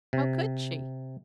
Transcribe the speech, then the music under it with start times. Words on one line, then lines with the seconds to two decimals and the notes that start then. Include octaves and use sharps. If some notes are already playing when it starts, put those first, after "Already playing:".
How could she?
0.13 C3